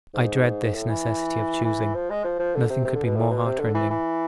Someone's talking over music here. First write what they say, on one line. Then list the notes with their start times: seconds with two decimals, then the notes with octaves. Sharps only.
I dread this necessity of choosing--nothing could be more heartrending.
0.14 G#2
0.74 A2
0.89 E3
1.64 E3
1.94 F3
2.10 G#3
2.24 F3
2.39 F3
2.55 D3
2.69 C3
2.84 C3
2.95 D3
3.04 B2
3.15 A2
3.30 B2
3.45 C3
3.59 D3
3.74 E3
3.90 E3